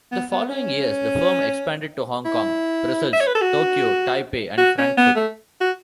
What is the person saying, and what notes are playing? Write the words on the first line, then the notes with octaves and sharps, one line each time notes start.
The following years the firm expanded to Hong Kong, Brussels, Tokyo, Taipei, and Frankfurt.
B3
B3
C#4
E4
E5
C#5
B4
A4
F#4
F#4
C#4
B3
A3
F#4